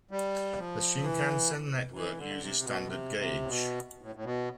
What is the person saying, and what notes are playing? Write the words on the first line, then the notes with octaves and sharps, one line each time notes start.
The shinkansen network uses standard gauge.
G3
F3
E3
E3
D3
C3
B2
C3
C3
A2
B2
A2
A2
B2